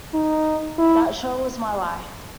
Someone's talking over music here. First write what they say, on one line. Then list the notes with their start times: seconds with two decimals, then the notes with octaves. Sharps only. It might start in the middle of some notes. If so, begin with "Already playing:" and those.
That show was my life.
0.14 D#4
0.79 E4